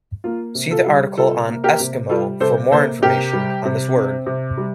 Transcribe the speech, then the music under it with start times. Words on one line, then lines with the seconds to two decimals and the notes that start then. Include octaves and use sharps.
See the article on "Eskimo" for more information on this word.
0.24 A#3 F4
0.55 C3
0.71 F4 A4
0.86 G3
1.17 C3 F4 A4
1.48 A#3
1.64 G4 A#4
1.80 C3
2.09 G3 F4 A4
2.40 C3 A4 C5
2.71 A#3 A4 C5
3.02 C3 G4 A#4
3.33 G3
3.65 C3
3.96 C4
4.26 C3
4.57 G3